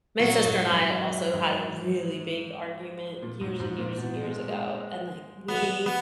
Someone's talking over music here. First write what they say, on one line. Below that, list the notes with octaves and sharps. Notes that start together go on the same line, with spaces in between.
my sister and I also had a really big argument years and years and years ago, and, like we,
A#2 F#3
G#2
F#2
G#2
A#2
G#2
G#2
A#2
B2
G#3
G#3
F#3 B3
B3